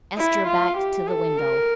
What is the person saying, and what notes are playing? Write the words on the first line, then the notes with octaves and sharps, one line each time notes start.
Estra backed to the window.
E4
F4
G4
A4
A#4